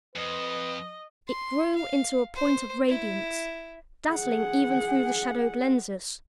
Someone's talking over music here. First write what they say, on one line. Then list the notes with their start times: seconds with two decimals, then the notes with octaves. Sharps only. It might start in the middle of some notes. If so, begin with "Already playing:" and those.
It grew into a point of radiance, dazzling even through the shadowed lenses.
0.15 F2 B4 D#5
1.27 C6
1.75 F5
2.35 C5
2.88 E4
4.11 G#4 F#5